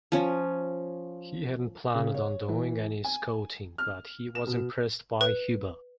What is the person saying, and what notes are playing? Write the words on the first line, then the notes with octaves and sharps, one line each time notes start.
He hadn't planned on doing any scouting, but he was impressed by Hubbell.
F3 C#4
C#3
C#5
E3
G#5
F6
E7
B2
B4